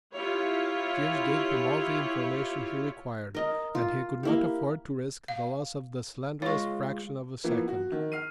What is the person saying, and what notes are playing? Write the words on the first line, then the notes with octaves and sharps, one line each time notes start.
His ears gave him all the information he required, and he could not afford to risk the loss of the slenderest fraction of a second.
E4 F4 G4 C#5
A#4 D#5
F4
A#3 E4 G4
F5
G#3 F4 C#5 C#6
E3 F3 A#3 B3
F#4
D#3
F6 C7 D#7